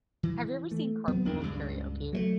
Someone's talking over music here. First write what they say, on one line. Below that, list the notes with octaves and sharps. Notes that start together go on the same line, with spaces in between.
Have you ever seen Carpool Karaoke
E3
A3
F#3 B3 C4
G1 E2 D4
C#2 G2
F#3 G3 A3